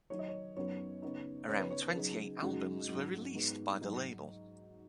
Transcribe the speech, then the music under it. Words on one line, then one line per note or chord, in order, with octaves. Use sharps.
Around twenty eight albums were released by the label.
D#3 F#3 D#4 C#5
D#5
C#5
F#2 F#3 B3 D#4 C#5
C#3 B3 D#4
C#3 B3 D#4 C#5
B4
C#5
C#5
B4
C#3 F#3 D#4 G#4
F#2 C#3 G#3 D#4 F#4
G#2 F#3 C#4
G#2 G#3 B3 D#4
G#2 F#3 D#4